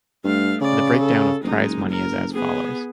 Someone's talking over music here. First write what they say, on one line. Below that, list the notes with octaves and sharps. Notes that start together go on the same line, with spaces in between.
The breakdown of prize money is as follows.
G2 A3 F5
C#3 D5
A4
F#1 G#3 D#4
A#4
B3 G#4